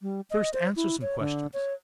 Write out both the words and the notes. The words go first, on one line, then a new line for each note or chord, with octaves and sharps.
First answer some questions.
G3
D#5
C5
E4
C#5
D3
C#5